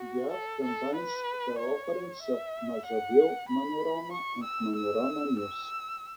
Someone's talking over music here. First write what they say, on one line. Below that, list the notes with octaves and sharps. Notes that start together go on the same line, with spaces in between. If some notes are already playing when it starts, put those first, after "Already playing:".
The app combines the offerings of Mazhavil Manorama and Manorama News.
Already playing: F#4
A4
A4
B4
C#5
E5
F#5
B5
C#6
E6
E6
E6